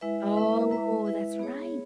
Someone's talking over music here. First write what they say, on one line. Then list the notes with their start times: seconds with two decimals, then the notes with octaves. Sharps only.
Oh, that's right.
0.01 G#3 E4 B4 E5
0.36 G#3 E4 B4 E5
0.71 G#3 E4 B4 E5
1.05 G#3 E4 B4 E5
1.39 B3 G#4 C#5